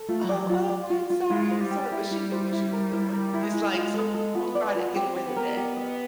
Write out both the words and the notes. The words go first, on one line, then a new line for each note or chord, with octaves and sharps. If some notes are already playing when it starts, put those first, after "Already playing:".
"Oh, oh, I'm sorry, I'm sorry," but she knew what she was doing. It's like some people try to get away with that.
Already playing: A4
A3 F4
F#3 D5
F3
F#3
F4
D5
F4
F4
G#3 E4
C5
G3
G4
E4
E4
C5
E4
A#4
E4
G3 A#4
E4
G#3
E4
G#3 F4
A4
A4
B3 F4
D5
F4
C4 G4
G4
B3
A#4
B3 G4
D#5
B3